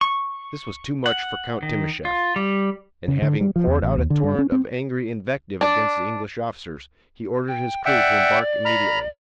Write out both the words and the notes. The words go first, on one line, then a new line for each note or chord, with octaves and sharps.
This was too much for Count Timascheff, and having poured out a torrent of angry invective against the English officers, he ordered his crew to embark immediately.
C#6
F#5
D#3
F4
G3
C#3
D3
G3
F3
E2
A1
D#2
D3
G2
C#4
C4
D4 D5
G5
D5 E5 F#5 G5
A#5 B5 F6